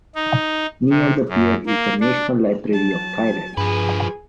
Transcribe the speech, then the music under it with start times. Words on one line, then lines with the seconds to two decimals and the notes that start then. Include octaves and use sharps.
Near the pier is the National Library of Thailand.
0.15 D#4
0.90 C3
1.29 F#2
1.66 A#3
2.01 D4
2.69 F#3 A5
3.57 G2 F3 G#4 B4 G#5